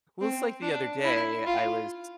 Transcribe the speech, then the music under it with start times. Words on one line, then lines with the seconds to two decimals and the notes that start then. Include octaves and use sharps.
Well, it's like the other day, I was
0.21 C4
0.62 D4
1.05 E4
1.46 F4